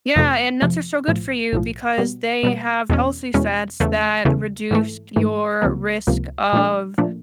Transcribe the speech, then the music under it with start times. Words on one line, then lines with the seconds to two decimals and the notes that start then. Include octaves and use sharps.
Yeah, and nuts are so good for you because they have healthy fats that reduce your risk of
0.16 F2 C3 F3 A3
0.62 F2 C3 F3 A3
1.07 B1 A2 F3
1.53 B1 A2 F3
1.98 B2 G3 B3
2.43 B2 G3 B3
2.90 E2 B2 G#3 C#4
3.34 E2 B2 G#3 C#4
3.80 E2 C#3 E3 A3
4.25 E2 C#3 E3 A3
4.71 G#2 E3 A3
5.16 G#2 E3 A3
5.62 C#2 C3 F3 A#3
6.07 C#2 C3 F3 A#3
6.53 A#2 F3 A3 D4
6.98 A#2 F3 A3 D4